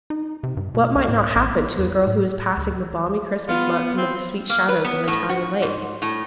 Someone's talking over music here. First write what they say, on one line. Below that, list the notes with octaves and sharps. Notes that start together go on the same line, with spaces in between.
What might not happen to a girl who was passing the balmy Christmas months amid the sweet shadows of an Italian lake?
D#4
C3
G2
B2
C#2
A2
A#1
B3
F2
A2
D2
B3 F4
C4
A#3
B4
B3
A2
F#4
G#2
A2